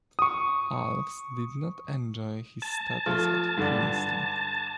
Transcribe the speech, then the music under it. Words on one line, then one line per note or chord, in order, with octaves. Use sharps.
Alves did not enjoy his studies at Princeton.
C#6 D#6
A5
F3 A3
G2 D3 D4